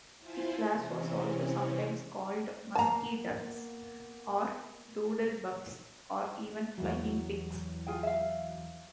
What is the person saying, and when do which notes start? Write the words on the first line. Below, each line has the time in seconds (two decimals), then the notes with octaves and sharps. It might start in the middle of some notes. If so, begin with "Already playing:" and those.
The class was also sometimes called "mucky ducks" or "doodle-bugs" or even "Flying Pigs".
0.19 E4 F4 C5 G#5 A5 B5
0.74 C3 E3 C4 C#4
2.75 A#3 B3 A5 A#5
6.78 E2 E3 F#3
7.87 F4 G#4 G5
8.03 E5 F5